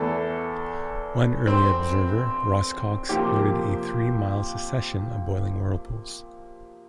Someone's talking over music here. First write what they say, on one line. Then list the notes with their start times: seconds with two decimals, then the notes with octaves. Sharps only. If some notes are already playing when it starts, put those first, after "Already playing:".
One early observer, Ross Cox, noted a three-mile succession of boiling whirlpools.
Already playing: E2 E3 A3 A4
1.47 C4
3.09 F2 C3 F3 A#3 G4